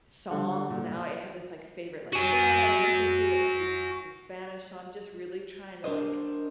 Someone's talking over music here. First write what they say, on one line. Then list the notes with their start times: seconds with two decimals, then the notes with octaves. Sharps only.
songs and now I have this like favorite like band that I'm listening to that speaks in Spanish, so I'm just really tryna, like
0.31 D3 G3 A4 F#5
0.70 A#2
2.13 F#4 G#5
5.84 D4 A#4 C5 D#5